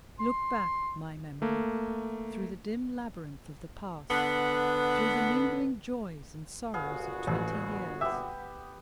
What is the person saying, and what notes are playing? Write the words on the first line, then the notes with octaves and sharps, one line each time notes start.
LOOK back, my memory, through the dim labyrinth of the past, through the mingling joys and sorrows of twenty years.
C6
A3 A#3
D3 B3
G1 A#2 B3 F#4 G#4 F5
A1 G#4
B3 G4 E5